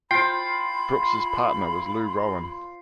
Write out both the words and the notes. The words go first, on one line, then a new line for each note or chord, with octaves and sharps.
Brooks' partner was Lou Rowan.
F4 C5 G5 B5 C7